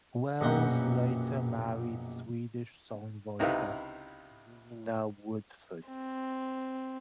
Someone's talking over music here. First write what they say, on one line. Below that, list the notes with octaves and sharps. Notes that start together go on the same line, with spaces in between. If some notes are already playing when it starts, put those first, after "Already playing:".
Wells later married Swedish songwriter Nina Woodford.
A#1 F#2 B2 A#3 F#5 G5
C#2 C3 D#4 E4 B4 F5
C4